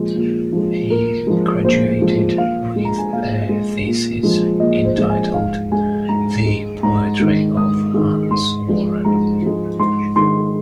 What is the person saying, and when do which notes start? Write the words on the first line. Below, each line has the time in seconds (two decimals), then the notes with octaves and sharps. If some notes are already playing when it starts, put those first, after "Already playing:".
He graduated with a thesis entitled 'The Poetry of Hans Warren'.
Already playing: A#2 F3 G#3
0.16 A#2
0.52 F3 G#3
0.90 A#2 A#4
1.27 F3 G#3
1.64 A#2 C5
2.01 F3 G#3
2.38 A#2 F5
2.76 G#3
2.85 A#5
2.98 G#5
3.12 A#2 F5
3.49 G#3
3.86 A#2
4.23 F3 G#3
4.60 A#2 D#5
4.85 C5
4.97 F3 G#3
5.10 G#5
5.34 G#2 F5
5.72 G#3 G#5
6.09 G#2 A#5
6.46 G#3
6.83 G#2 A#5
7.20 D#3 G#3
7.57 G#2 D#6
7.94 D#3 G#3
8.31 G#2 C6
8.68 F3 G#3
9.05 G#2 A#5
9.42 F3 G#3
9.79 G#2 C6
10.16 D#3 G#3 C6